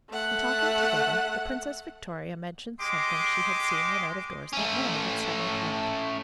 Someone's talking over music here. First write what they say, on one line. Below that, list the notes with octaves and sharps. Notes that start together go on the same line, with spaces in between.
In talking together, the Princess Victoria mentioned something she had seen when out of doors that morning at seven o'clock.
A3 F#5
G#3 G4 D#5 C6 D6
A3 C#4